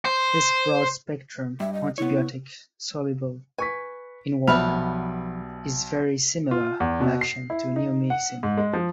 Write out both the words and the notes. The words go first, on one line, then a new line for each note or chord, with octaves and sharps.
This broad-spectrum antibiotic soluble in water, is very similar in action to neomycin.
C5
G2 E5
D#5
B3 E4 C#5
B4 G#5 C#6 B6
B1 F3 G3 B3 E5 B5 F6 F7
F4
E2
B2
C7
E4
D#4
F#5
G#2
G#3
F3